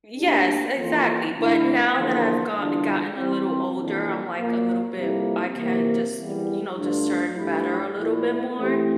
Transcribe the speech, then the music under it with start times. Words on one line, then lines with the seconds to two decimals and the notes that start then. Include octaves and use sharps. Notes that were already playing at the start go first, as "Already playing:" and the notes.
Yes, exactly, but now that I've go gotten a little older, I'm, like, a little bit I can just, y you know, discern better a little bit more
0.15 A#2 A3 D4 G4
0.74 F2 E3 A#3 F4
1.35 D3 A3 E4
1.95 E2 D3 F3 A#3
2.55 E2 D3 G3 D4 F4
3.15 E3 G3 C4
3.75 F2 C3 E3 A#3 D4
4.35 A#2 F3 A#3 F4
4.95 F2 C3 G3 A#3 E4
5.55 C3 E3 A#3
6.15 E2 E3 G3
6.75 G2 D3 A3 D4 F4
7.35 G2 F3 A3 E4 G4
7.95 A#2 F3 A3 E4
8.55 E3 A3 C4 G4